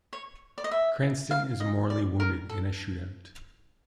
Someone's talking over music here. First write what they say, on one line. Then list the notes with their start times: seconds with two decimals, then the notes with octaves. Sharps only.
Cranston is mortally wounded in a shootout.
0.13 C#5
0.58 D5
0.64 D#5
0.71 E5
1.31 F5
1.60 D#5
1.90 D5
2.20 A#4
2.49 A4